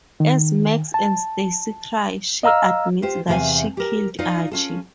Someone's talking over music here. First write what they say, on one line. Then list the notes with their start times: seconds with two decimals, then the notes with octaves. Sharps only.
As Max and Stacey cry, she admits that she killed Archie.
0.20 D#3
0.94 A5
2.43 D#5 F5 A#5 E6 F6
3.02 F4 G4 C5
3.28 E2 C3 F4 A#4 F5 G#5
3.77 G4 A#4
4.19 D#4 F4 D5 F5
4.51 C#4 F4 A4